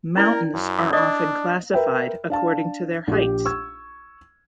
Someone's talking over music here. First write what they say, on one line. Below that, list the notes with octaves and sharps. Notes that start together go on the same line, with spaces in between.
Mountains are often classified according to their heights.
C#4 E4 A#4 D5
F#2
D4 D5 D#5 D#6
A#4 B4 E5 G5
D4 F5 A5
A#1 G4
C#6 E6 G#6